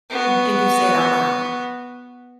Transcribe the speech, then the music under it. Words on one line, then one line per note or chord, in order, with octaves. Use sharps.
M and you say it out loud.
B3 F#4